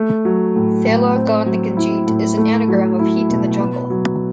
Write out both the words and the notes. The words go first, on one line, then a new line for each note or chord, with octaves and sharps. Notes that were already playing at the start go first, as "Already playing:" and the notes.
"Thela Hun Ginjeet" is an anagram of "heat in the jungle".
Already playing: A3
F#3
A2
A2
C4
F#3
E4
A2
A3
F#3
E4
B2
B3
F#3